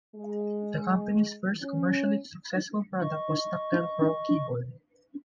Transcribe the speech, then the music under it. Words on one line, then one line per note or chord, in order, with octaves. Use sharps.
The company's first commercially successful product was Tactile Pro Keyboard.
G#3
C#4
D#5 C#6